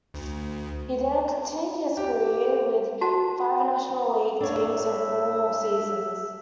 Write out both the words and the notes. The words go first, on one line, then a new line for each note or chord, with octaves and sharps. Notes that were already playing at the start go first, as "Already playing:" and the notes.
He then continued his career with five National League teams in four more seasons.
D2
G4
F#4 A5
A2 D4 C#5 E5